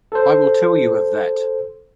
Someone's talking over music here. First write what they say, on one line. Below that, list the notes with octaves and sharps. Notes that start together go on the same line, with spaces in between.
I will tell you of that!
A4 C5